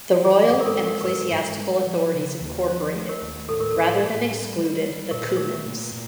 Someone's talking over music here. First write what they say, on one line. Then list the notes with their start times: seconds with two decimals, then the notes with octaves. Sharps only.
The royal and ecclesiastical authorities incorporated, rather than excluded, the Cumans.
0.25 E3 G#4
0.44 G#4
0.52 G#2
0.60 A#4
0.66 A4
0.79 E3
0.86 A#4
1.01 A#4
1.05 G#2 B4
1.33 G#2
1.59 G3
1.86 F3
2.14 C#3
2.41 D#2
2.68 F3 C5
2.95 A3
3.09 A#4
3.22 D#2
3.49 A2 A4
3.60 A#4
3.71 A4
3.77 A2
4.03 A2
4.30 G3
4.57 G3
4.85 G3
5.11 A#2 A#4
5.23 B4
5.37 A3 A#4
5.65 A#2
5.92 A#2